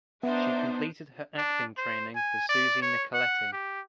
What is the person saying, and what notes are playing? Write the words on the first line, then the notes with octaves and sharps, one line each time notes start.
She completed her acting training with Susi Nicoletti.
B3 D4 D#4 C5 E5
D4
C5
G#5
D5
C#5
F#5
G4